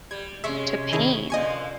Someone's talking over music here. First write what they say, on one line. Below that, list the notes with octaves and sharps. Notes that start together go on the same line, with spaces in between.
to pain.
G3 G#6
C3 G#3 C#4 E5 C#6
D#3 E4 G#4
A#2 D3 F3 D#5 G#5 C#6